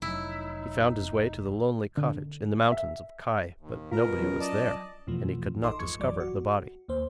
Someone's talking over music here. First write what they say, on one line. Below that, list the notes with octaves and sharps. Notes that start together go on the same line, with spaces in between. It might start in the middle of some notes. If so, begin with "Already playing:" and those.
He found his way to the lonely cottage in the mountains of Kai; but nobody was there, and he could not discover the body.
F1 F#3 D#4 E4
D3
E5
D#2
B2 F4 A#4
F#3 C#4
D5 D#5 A5
E2 B2 E3 F3 A3
A1 D#4 A4 D#5 C6 D6
E2 G#2 F3 C#6 G#6 C#7
A1 F#2 E3 F#3 D5 D6
F#4
D#2 A#3 C5